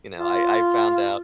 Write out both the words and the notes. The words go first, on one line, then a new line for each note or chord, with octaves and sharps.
you know, I I found out
F4